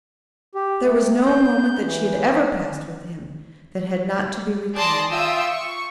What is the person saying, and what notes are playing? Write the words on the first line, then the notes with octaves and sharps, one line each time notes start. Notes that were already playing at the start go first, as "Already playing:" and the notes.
There was no moment that she had ever passed with him that had not to be recalled.
G4
A3
G6
E3
G#4 D5 A5 C6 A#6
F4 E5 G5 D#6 E6
C#6